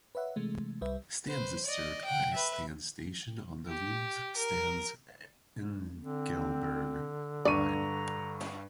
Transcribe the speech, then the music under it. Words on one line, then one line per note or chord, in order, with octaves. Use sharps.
Stans is served by Stans station on the Luzern-Stans-Engelberg line.
B4 C#5 E5 F#5
C3 E3 G#3 A3
C2 G3 B4 E5
B4 C5
D5 D#5
F#5 G5
B4 E5
G4
A#4
D3 C4
G2 D5 A#5 C#6 D#7